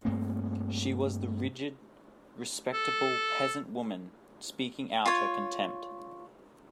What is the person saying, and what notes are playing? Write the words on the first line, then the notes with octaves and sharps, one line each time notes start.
She was the rigid, respectable peasant woman, speaking out her contempt.
G2 A3 A#3 C4
A4
F4 C#5